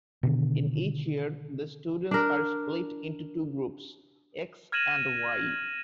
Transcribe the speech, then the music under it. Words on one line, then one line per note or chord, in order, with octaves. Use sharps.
In each Year, the students are split into two groups x and y.
B2 D3 D#3
D4 A#4
F6 G#6 A#6 D#7 E7 F#7